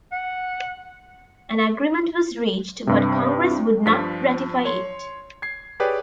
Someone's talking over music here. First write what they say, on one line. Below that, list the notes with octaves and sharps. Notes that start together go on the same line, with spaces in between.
An agreement was reached, but Congress would not ratify it.
F#5
G2 C3
G2 F3 B6
C#5 C6
G#6 C7
G4 G#4 B4 C#5 D5 G5